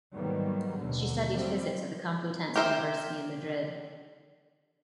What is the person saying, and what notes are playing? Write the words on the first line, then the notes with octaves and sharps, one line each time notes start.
She studied physics at the Complutense University in Madrid.
G#2 D#3 F#3 G3 A#3 B3
D#2 B2 D3
F#3 G3 C4
G4 A#4 C5 E5